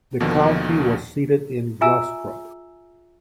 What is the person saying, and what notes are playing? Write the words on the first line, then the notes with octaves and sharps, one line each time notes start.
The county was seated in Glostrup.
D#2 B2 D3 D#3 F3
F4 G#4 E5 G#5 A#5 E6